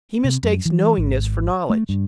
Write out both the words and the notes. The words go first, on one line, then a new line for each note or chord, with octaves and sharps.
He mistakes knowingness for knowledge.
C3
F#2
E3
G#1
A3
G2